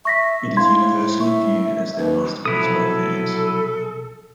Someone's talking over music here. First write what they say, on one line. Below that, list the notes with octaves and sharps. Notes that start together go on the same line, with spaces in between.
It is universally viewed as their masterpiece by fans.
E5 C#6 A#6 B6
A2 F5 C6 G#6
E5 C#6
D#2 B4
B1 C3 F3 F#3 E4 A4 D#6